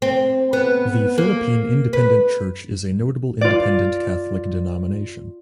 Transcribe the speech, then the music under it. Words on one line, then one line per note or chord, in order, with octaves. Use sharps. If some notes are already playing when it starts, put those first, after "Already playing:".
The Philippine Independent Church is a notable independent Catholic denomination.
C4
B3
A#3
B4
F4 D5